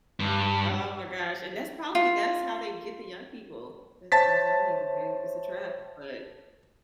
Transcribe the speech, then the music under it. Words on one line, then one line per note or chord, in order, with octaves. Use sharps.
Oh, my gosh, and that's probably that's how they get the young people. That's I'm telling you, they it's a trap, but
G2
F4
C5 C#5 E5 A5 A6 B6